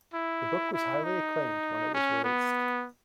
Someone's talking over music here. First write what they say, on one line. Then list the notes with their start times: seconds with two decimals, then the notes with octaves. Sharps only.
The book was highly acclaimed when it was released.
0.14 E4
0.74 E4
1.04 D#4
1.95 C#4
2.24 B3